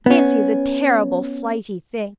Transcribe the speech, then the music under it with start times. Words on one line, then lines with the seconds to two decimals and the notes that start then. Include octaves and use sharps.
Nancy is a terrible flighty thing.
0.06 B3 C#4